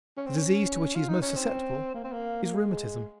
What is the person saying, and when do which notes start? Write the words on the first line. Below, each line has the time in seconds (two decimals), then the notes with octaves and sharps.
The disease to which he is most susceptible is rheumatism.
0.17 C#4
0.26 C4
0.37 C#4
0.95 F4
1.08 D#4
1.22 C#4
1.36 C4
1.94 A#3
2.04 C4
2.12 A#3
2.43 A#3
2.54 G#3